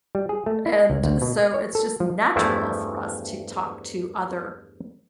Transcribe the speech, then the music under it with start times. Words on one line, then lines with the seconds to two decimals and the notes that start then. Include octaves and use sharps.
and so, it's just natural for us to talk to other
0.15 G3
0.29 G#4
0.46 A3
0.66 E4
0.90 C#2
1.04 D2
1.22 B2
1.37 D#5
1.54 C#5
1.75 A4
2.00 F3
2.36 E2 G2 F3 A3 E4